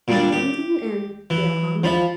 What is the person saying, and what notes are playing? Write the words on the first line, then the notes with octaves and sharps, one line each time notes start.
'London and the Alhambra!'
A#2 G3 D4
G4
E3
F3 B5